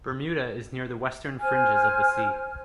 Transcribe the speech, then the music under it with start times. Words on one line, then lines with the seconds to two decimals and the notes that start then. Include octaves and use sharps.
Bermuda is near the western fringes of the sea.
1.41 C5 G#5 F6